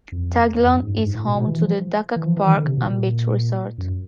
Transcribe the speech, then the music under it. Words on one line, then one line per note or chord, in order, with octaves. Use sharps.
Taguilon is home to the Dakak Park and Beach Resort.
F2
E2
F2
F#2
G#2
G2
G#2
A2
B2
B2
E3
F3
E3
F3
E3
D#3
D3
C3
B2
A#2
F#2